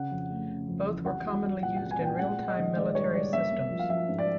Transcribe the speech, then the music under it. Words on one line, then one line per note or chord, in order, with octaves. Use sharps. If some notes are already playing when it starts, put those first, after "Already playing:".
Both were commonly used in real-time military systems.
Already playing: C#3 F#5
F2
A3
C#3
F2
E3
C2 F#5
F#3
F#3
A#2 F#5
C2 F#5
G#5
A#2
G5
G#3 F#5
G#3
D#5
D#3
G#3 D5
G2 C#5
G2 D5
A#3 E5
A#3
F3
F5
F3 E5
G#2
D5